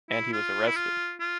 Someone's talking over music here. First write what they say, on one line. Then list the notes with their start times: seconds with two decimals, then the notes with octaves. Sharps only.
And he was arrested.
0.10 E4
0.32 F4
0.66 E4
0.76 F4
1.20 F4